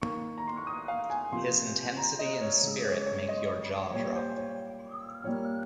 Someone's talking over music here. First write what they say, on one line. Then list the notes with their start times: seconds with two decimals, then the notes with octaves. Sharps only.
His intensity and spirit make your jaw drop.
0.02 D#3 A#3 C#6
0.38 A#5
0.48 C6
0.57 C#6
0.67 D#6
0.88 F5
1.10 G#5
1.32 C3 F3 A#3 C6
1.97 A#5
2.19 D#5
2.41 C#5
2.63 C#3 G#3
2.84 C#5
3.06 C#5
3.29 D#5
3.93 A#2 G3 A#3 C#5
4.15 C5
4.38 C#5
5.24 A#2 G3 A#3 C#5